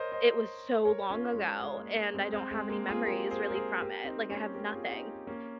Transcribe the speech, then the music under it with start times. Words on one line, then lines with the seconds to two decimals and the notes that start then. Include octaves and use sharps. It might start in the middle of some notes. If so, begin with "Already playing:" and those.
it was so long ago, and I don't have any memories really from it, like, I have nothing.
Already playing: A#4 C5 C#5 D#5
0.12 C5 D#5
0.85 A#4 C#5
1.10 C#4 F4
1.34 G#3
1.60 G#3
1.77 A#3
1.96 A#3
2.14 G#3 C4
2.33 G#3 C4
2.51 G#3 C4
2.69 A#3
2.89 F4 G#4
3.06 G4 A#4
3.31 G#4 C5
3.49 A#4
3.55 G#4 C5
3.80 G4 A#4
4.04 C4 D#4
4.30 A#3 C#4
4.54 G4 A#4
4.72 F4 G#4
4.91 D#4 G4
5.27 A#3 C#4